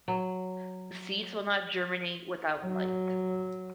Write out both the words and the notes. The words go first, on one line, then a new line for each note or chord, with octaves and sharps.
The seeds will not germinate without light.
F#3
F#3